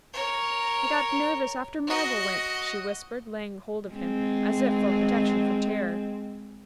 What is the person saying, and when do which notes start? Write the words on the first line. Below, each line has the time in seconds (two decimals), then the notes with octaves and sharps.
"I got nervous after Marvel went," she whispered, laying hold of him, as if for protection from terror.
0.13 A#4 C#5
1.88 F#4 D#5
3.91 G#3 C4